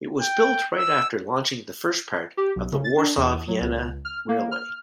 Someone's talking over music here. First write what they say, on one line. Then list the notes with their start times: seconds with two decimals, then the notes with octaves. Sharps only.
It was built right after launching the first part of the Warsaw- Vienna railway.
0.21 G5
0.77 E6
2.37 G4
2.56 B1
2.72 C#3
2.84 A6
2.98 D4
3.17 E2
3.48 F#3
3.61 C#2
4.05 F6
4.29 A#3
4.51 F6